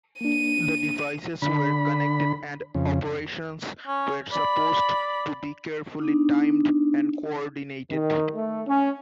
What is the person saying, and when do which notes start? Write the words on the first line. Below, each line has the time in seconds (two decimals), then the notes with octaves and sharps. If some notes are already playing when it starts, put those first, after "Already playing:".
The devices were connected and operations were supposed to be carefully timed and coordinated.
0.21 A#3 D4 D#7
1.42 D3 B5
2.74 F2 C#3
3.87 C#4
4.33 D5 B5
5.99 B3 D4 D#4
7.90 D#3
8.34 A3
8.67 C#4